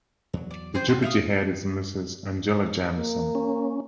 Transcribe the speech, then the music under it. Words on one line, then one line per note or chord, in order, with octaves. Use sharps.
The Depute Head is Mrs Angela Jamieson.
E2 F#3
D5
G#4 C5 G5
F4 F#4 G5
E5 F5 D#6
A#3
C#4